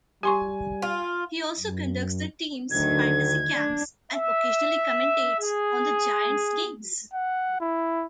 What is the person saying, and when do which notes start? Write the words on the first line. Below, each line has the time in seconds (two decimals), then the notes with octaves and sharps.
He also conducts the team's fantasy camps and occasionally commentates on Giants' games.
0.23 G3 G4 G#5 C6 C#6
0.82 F4
1.59 F#2
2.71 D2 D3 D#3 F#3 G#6
3.50 D4
4.11 E5
5.41 G#4
7.14 F#5
7.61 E4